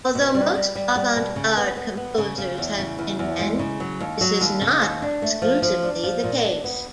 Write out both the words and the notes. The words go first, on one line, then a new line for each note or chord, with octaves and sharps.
Although most avant-garde composers have been men, this is not exclusively the case.
B2
G3
G3
G3
G3
B2
C#3
B3
B3
B3
C#3
C#3
E2
C#3
E2
E2
G#3
C#3
F#3
D#2
F#3
D#2
C#3
D#2
D4
A3
F3
F3
D4
F3
A#2
D4
B3